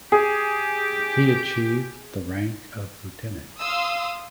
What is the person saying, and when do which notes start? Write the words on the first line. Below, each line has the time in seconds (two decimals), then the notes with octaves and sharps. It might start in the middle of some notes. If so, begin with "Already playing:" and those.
He achieved the rank of lieutenant.
0.12 G4 G#4
3.60 F5 C6 D#6 E6